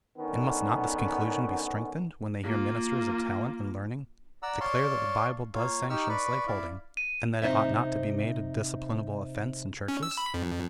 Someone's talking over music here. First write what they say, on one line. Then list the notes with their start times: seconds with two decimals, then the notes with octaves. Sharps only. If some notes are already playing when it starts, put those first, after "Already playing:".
And must not this conclusion be strengthened, when they hear ministers of talent and learning declare that the Bible does sanction slaveholding, and that it ought not to be made a disciplinable offence in churches?
0.18 D3 D#3 B3 C#4
2.43 A#3 F4
4.43 D5 F#5 A#5 E6
4.61 C#5 D5 F5 A5 C6 C#6
5.54 A#3 F4 C#5 F5
5.90 D#4 G4 C#6 E6 F6
6.09 B4 D5 B5 C#6
6.47 E4 D5 E5 F5
6.97 D#7
7.42 C3 D#4 C5 E5
9.88 C#4
10.03 E6
10.17 B5
10.34 F2